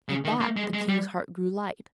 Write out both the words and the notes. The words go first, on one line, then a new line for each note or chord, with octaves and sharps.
At that the king's heart grew light.
C#3
D#3
A#3
G#3
G#3
G3